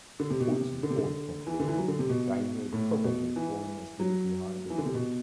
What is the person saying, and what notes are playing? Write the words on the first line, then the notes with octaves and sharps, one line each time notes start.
The police report concluded, that he had probably fallen asleep behind the wheel.
D3
C3
B2
C3
D3
C3
D3
E3
D3
E3
F#3
D3
C3
B2
A2
B2
E3
F#3
E3
D3
C3
B2